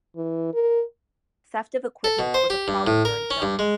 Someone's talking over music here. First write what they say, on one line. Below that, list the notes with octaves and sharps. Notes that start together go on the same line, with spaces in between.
Theft of equipment was a problem during filming.
E3
A#4
A4
B2
C5
G4
G2
A2
A#4
C#4
G2
G#3